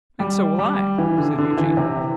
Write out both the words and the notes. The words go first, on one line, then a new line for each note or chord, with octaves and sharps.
'And so will I,' said Eugene.
G3
G3
E3
D3
D3
E3
C3